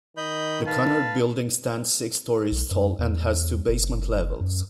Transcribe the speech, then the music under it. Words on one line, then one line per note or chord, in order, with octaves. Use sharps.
The Cunard Building stands six storeys tall and has two basement levels.
D#3 D#5 B5 G6
B4 F5 A5
B1
F#2
E2
F#1
F#2